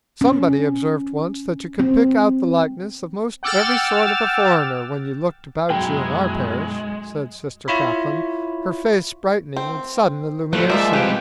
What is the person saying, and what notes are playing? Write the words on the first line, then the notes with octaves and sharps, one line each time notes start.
"Somebody observed once that you could pick out the likeness of 'most every sort of a foreigner when you looked about you in our parish," said Sister Caplin, her face brightening with sudden illumination.
C#4
C4
F#5 G5 D6 E6 F6 A6
F#2 B2 F#3 G#3 D#4 E4 G5
E4 F4 C#5 B5
C4
F3 G3 A3 B4
G#3 A#3 C5 D5 E5
C2 G4 G#4 B4